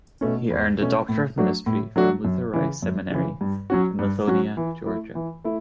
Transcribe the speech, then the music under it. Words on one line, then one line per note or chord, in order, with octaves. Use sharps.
He earned a Doctor of Ministry from Luther Rice Seminary in Lithonia, Georgia.
B2 A3 C#4
E2
B2 A3 C#4
A2
F#3 A3 D4 F#4
A2
F#3 A3 D4 F#4
F#2
C#3 E3
F#2
C#3 E3
G2
F#3 C#4 F#4
G2
F#3 C#4 F#4
E3
A3 E4
E3
A3 E4